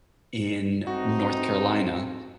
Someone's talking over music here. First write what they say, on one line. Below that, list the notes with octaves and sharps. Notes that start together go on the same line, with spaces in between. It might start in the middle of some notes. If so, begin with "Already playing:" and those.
in North Carolina,
G2 A3 C4 D#4 F#4